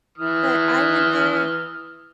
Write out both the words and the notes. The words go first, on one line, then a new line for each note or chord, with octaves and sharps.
But I went there,
E3 D#6 F6